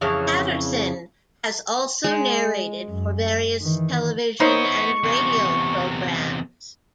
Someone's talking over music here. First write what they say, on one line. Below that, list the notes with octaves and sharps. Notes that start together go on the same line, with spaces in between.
Paterson has also narrated for various television and radio programmes.
F2 C#3 E3
G#3
F#2
D#3 E3
B3 D#4 E4 C5 C#5 C#6
E2 C3